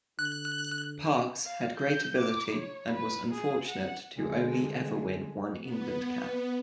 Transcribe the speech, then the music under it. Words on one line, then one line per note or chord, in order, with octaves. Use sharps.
Parkes had great ability, and was unfortunate to only ever win one England cap.
D3 F#6
F5
G6
D6
C#5
B4
G#4
F#5
D3 G#3
B3